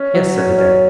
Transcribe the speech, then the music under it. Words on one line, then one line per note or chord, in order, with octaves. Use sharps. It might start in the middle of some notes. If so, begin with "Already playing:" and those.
"Yes," said the dame.
Already playing: C#4
F#3
C#4
C#4